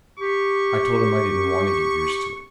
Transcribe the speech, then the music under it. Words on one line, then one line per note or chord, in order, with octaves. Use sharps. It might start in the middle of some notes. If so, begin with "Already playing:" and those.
I told him I didn't want to get used to it.
G4 C#6